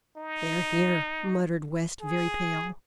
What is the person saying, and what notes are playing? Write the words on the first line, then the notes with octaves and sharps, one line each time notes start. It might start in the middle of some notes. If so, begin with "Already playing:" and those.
"They are here," muttered West, very pale.
D#4
G#4